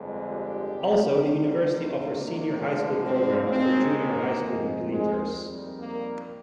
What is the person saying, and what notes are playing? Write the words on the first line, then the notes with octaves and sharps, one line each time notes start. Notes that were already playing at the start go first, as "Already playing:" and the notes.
Also, the university offers Senior High School program for Junior High School completers.
Already playing: G1 F2 D3 G#3
G4
C2 C3 G3
D2 C3 D#3
A#3
D2 D3 F3 G#3
C4
D#2 D#3 G#3 C4
A#3
F2 D#3 G#3
G#3
F2 D#3 G3
A#3